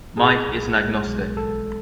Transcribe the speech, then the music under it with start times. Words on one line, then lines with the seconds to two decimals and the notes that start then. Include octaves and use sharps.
Mike is an agnostic.
0.17 A2 G#4
0.47 B1
0.77 G#3
1.07 B1
1.37 A1 A4